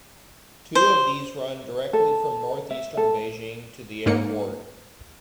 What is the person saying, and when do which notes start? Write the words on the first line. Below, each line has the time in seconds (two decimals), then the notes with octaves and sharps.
Two of these run directly from northeastern Beijing to the airport.
0.75 C5
1.93 A4
2.71 E5
2.97 A4
4.06 G#2 A#3 C#7